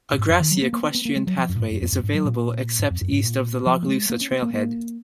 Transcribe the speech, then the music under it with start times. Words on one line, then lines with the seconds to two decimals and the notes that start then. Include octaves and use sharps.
A grassy equestrian pathway is available except east of the Lochloosa trailhead.
0.13 A#2
0.18 G#2
0.29 F2
0.40 D#3
0.51 F#3
0.62 A#3
0.73 A#3
0.83 B3
0.95 B3
1.05 A#3
1.16 G#3
1.27 F#3
1.38 F3
1.49 F#2
1.56 A#2
1.60 G#2
1.71 F#2
1.82 F2
1.92 F#2
2.03 G#2
2.14 F#3
2.25 A#2
2.79 G#2
2.90 F2
3.01 F#2
3.12 G#2
3.23 A#2
3.66 F3
3.83 A#3
3.88 G#3
4.10 A#3
4.21 C#4
4.32 B3
4.42 A#3
4.54 A#3